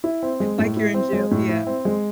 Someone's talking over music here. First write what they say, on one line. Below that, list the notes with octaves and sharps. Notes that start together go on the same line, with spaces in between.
Like you're in jail, yeah.
E4
C4
G#3
A2
E4
C4
G#3
A2
E4
C4
G#3